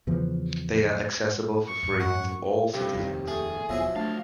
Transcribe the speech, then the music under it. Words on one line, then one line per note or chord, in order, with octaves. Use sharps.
They are accessible for free to all citizens.
E2 C#3 E3 F3
C#6
E2 G#2 F#3
F#2 F#5 C#6
G2 C3 G4
D#1 F2 D#3
A3 G#4
E1 D#2 F3 F#3 B3 E4 E5
D2 A3 D4 F5 A5